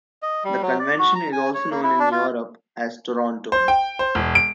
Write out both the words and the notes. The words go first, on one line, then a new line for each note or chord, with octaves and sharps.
The convention is also known in Europe as "Toronto".
D#5
G3
F#3
D5
F#4
A#5
G#5
C#5
A#3
E4
D4
F4
C5
G5
C5
E1
D7